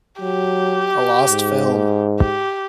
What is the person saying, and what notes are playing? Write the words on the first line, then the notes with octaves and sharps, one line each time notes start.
A lost film.
F#3 G4
G#2
G4